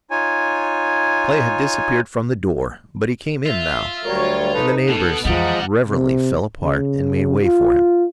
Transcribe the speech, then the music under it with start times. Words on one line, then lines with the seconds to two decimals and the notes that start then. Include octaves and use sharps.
Clay had disappeared from the door; but he came in, now, and the neighbors reverently fell apart and made way for him.
0.11 D#4 F4 C#5 G#5
3.46 F4 E5
4.05 D2 F#3 G3 A#4 C#5
4.54 D#4 A4 B4
4.88 B2 B3 A4
5.25 F2 E3 F3 G3 G#3 D#5 F#5 A#5
5.88 C3
6.61 C#3
7.43 F4